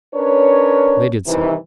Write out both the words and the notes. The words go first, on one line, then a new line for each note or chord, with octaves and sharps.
They did so.
C#4 D4 A#4 B4 C#5
G2 C3 D#3 E3